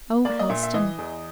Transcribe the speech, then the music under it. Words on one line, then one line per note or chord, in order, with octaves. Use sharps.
Oh, Helstone!
A#3 D5
D#5
A#2 E5
E5
E3 D#5
E2